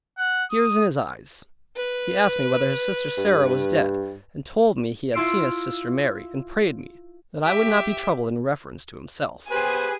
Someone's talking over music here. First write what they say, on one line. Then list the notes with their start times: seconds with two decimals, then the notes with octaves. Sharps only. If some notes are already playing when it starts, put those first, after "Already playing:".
With tears in his eyes, he asked me whether his sister Sarah was dead; and told me he had seen his sister Mary; and prayed me, that I would not be troubled in reference to himself.
0.18 F#5
0.51 D#6
1.77 B4
3.17 G2
5.14 E4 F4 C6 E6 C7 D7
7.45 G4 E5
9.51 B3 G4 G#4 B4 C5 G#5